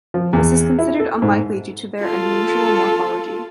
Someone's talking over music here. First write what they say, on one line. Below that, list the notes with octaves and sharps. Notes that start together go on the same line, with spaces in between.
This is considered unlikely due to their unusual morphology.
F3
E2
E4
A4
G#2
F4 A4